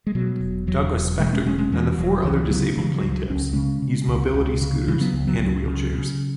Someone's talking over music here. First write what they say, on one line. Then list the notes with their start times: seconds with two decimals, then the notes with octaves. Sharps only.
Douglas Spector and the four other disabled plaintiffs use mobility scooters and wheelchairs.
0.07 G#3
0.15 B2 F#3
0.40 E1
0.67 E2 F#3
0.93 E1
1.19 B2 E3 G#3
1.33 G#3 C#4
1.46 E1 G#3 C#4
1.58 G#3 C#4
1.72 E2 E3 G#3
1.98 E1 F#3
2.24 C#2 E3
2.50 C#3 F#3 B3
2.77 C#3 E3 G#3
2.95 F#3
3.03 C#2
3.12 F#3
3.30 C#2 C#4
3.53 C#3 G#3 C#4
3.82 C#3
4.08 C#2
4.34 C#2
4.61 C#3
4.87 C#3 E3 G#3
5.00 F#3 B3
5.13 C#2
5.27 F#3 B3
5.39 C#2 F#3
5.66 C#3
5.93 C#3